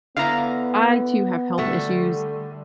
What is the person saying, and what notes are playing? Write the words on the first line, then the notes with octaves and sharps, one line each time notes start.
I, too, have health issues,
D3 B3 E4 F5 A#5
D3 G3 A3 F#4